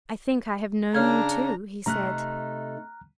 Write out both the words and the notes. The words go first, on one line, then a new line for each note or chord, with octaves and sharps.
"I think I have known you, too!" he said.
C#3 D4 C#5 A#5 F6 G#6
C3 A3 D#4 A#5 F6 F#6